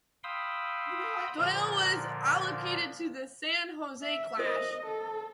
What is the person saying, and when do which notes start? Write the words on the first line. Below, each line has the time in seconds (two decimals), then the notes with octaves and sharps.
Doyle was allocated to the San Jose Clash.
0.24 F5 G5 B5 C6 D#6 E6
1.38 A#2 D3 F3 A#3
4.02 E5
4.39 A#4 C5 D#5 D#6
4.86 A4